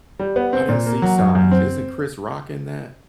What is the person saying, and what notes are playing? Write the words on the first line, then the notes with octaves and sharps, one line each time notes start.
I didn't see signs, isn't Chris Rock in that?
G3
B3
C4
A#2
A#3
F#3
F#2
F#2
C4